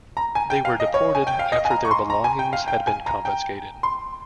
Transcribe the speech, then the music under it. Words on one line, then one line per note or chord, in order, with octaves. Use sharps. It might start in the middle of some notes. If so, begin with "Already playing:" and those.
They were deported after their belongings had been confiscated.
A#5
G#5
G5
F5
D#5
C#5
G#5
G5
F5
D#5
G#5
A#5
C#6
C6
A#5
G#5
G5
F5
G5
G#5
A#5
G5
C6